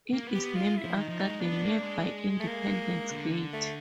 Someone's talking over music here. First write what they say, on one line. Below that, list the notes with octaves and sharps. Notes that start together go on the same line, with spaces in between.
It is named after the nearby Independence Gate.
A#3
B3
G4
B3
G#3 F4
E4
F3
D#3 D#4
F3
F#3 D#4
G#3
B3 D4
A#3
G#3
A3
A#3
D3
A3